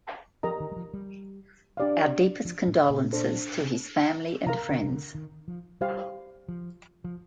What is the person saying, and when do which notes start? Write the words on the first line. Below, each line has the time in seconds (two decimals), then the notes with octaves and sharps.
Our deepest condolences to his family and friends.
0.43 F3 G4 A#4 D#5 A#5
0.60 D#3
0.72 G3
0.76 F3
0.94 G3
1.77 D4 G4 D5 F5
2.45 F3
2.67 A2
2.90 A#2
3.13 D4 A4 C5
4.46 C3 A#4 F5 A#5
4.69 D3
4.83 C3
4.92 D3
5.15 D#3
5.48 F3
5.81 G3 G4 C5 F5
6.48 F3
7.04 F3